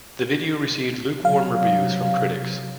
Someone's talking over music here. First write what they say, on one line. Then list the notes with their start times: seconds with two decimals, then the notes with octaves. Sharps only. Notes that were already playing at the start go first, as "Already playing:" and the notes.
The video received lukewarm reviews from critics.
1.25 C3 F#3 F5